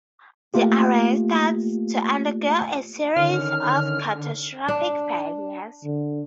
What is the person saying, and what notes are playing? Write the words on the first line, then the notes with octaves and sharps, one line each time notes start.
The Array starts to undergo a series of catastrophic failures.
A3 A#3 F4 G4
D3 D#3 C#4 F6
D4
D3